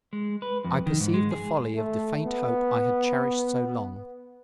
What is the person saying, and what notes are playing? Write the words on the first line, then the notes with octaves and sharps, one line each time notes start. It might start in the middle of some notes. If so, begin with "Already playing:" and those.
I perceived the folly of the faint hope I had cherished so long.
G#3
B4
F2
D#3
G#2
G#3
G#4
A3
B3